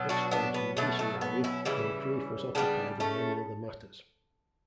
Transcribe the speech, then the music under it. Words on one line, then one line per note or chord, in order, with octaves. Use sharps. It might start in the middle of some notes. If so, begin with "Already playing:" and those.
Extrajudicially Moncreiff was occupied in many other matters.
Already playing: B2 F#3
D4 F#4
B3 D4
B3
B2 F#3 A3
A3
B3
C#4 E4
C#3 E3 G3 C#4 E4
C#3 E3 G3 B3 D4
A3 C#4